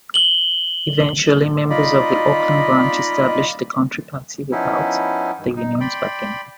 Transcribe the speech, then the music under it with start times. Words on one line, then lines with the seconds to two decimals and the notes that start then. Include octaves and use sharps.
Eventually members of the Auckland branch established the Country Party without the Union's backing.
0.14 F#7 G7
1.70 D#4 F4 D5 D#5 B5
4.52 F3 B3 C#4 D#4 E4
5.38 G2 D#3
5.56 D#4
5.81 D5 G5 B5 C6